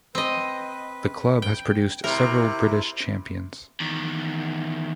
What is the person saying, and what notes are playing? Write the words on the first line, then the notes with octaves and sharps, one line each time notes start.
The club has produced several British champions.
C4 B4 D#5
G5
C3 E4 A#4
E2 D#3